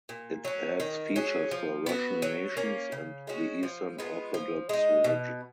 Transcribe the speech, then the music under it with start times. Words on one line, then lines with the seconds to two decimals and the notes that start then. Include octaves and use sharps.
It adds features for Russian nations and the Eastern Orthodox religion.
0.09 A#2
0.45 F#3 C#4
0.80 D#3
1.16 F#3 C#4 G#4
1.51 F3
1.86 B3 F#4
2.22 F#3
2.57 A#3 C#4
2.92 C#3
3.27 G#3 C#4 F#4
3.63 F3
3.98 G#3 B3 F4
4.34 F3
4.69 G#3 D#4
5.04 B2